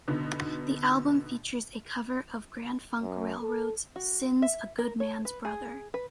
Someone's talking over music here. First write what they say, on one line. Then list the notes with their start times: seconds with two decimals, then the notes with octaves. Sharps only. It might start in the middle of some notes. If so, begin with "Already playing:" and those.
The album features a cover of Grand Funk Railroad's "Sin's a Good Man's Brother".
0.08 B2 D3 B3 D#4
3.02 F#2
3.42 A4
3.96 F#4
4.42 E5
4.78 A#4
5.00 C#5
5.25 B4
5.45 G#4
5.94 B4